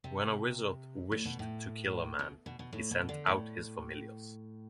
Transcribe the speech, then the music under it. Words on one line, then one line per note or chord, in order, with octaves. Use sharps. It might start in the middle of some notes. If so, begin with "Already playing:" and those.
When a wizard wished to kill a man, he sent out his familiars.
C3
A2
B2
A2
B2
B2
B2
A2
B2
D3
A2